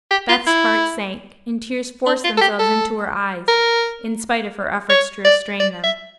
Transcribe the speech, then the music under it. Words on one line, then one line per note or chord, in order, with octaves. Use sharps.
Beth's heart sank, and tears forced themselves into her eyes in spite of her efforts to restrain them.
G4
F4
E4
D4
F4
A4
G4
A4
A#4
C#5
D5
D5
E5